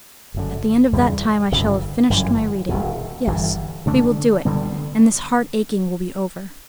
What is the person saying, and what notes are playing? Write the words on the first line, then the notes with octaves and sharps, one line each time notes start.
At the end of that time I shall have finished my reading--yes, we will do it, and this heart-aching will be over.
F#1 F#2 D3
E2 C#3 G3
G1 F#2 C#3
G1 F#2 E3
E1 E2 B2
G1 G2 E3
D2 D3 A3 D4
D2 D3 G3 B3